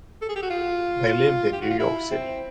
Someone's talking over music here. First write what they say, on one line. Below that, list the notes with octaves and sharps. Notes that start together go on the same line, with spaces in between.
They lived in New York City.
A4
G#4
G4
F#4
F4
G4
F#4
F4
E4
C4